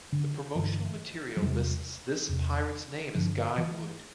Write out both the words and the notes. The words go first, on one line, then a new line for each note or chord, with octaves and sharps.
The promotional material lists this pirate's name as Guy Wood.
D3
G2 D3 E3
F3
E2 C3 G3
E2 C3
G2 D3 F3
E3